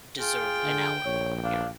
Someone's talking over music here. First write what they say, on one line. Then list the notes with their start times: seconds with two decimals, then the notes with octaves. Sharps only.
deserve an hour, here
0.20 F4 G#4 G5
0.64 D3
1.05 A#1 C#5
1.44 D4 F5